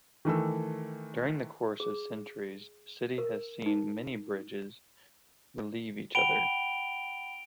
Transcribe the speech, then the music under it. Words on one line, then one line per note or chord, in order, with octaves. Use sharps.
During the course of centuries, the city has seen many bridges relieve each other.
D#3 E3 A3 E6
G#4
A#4
D#4
F#5 G5 B5 D7 F7 G7